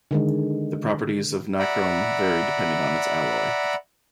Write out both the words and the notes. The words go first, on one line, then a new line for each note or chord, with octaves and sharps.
The properties of nichrome vary depending on its alloy.
D3 D#3 G#3
D5 E5 F#5 A#5 B5